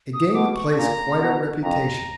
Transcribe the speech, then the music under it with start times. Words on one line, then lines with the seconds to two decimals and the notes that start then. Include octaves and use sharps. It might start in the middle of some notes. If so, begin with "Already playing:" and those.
It gained the place quite a reputation.
0.14 D#6
0.29 D#6
0.34 B2 D6
0.55 C#6
0.71 A5
0.78 A#2 A#5
1.20 B2
1.62 F2 A#5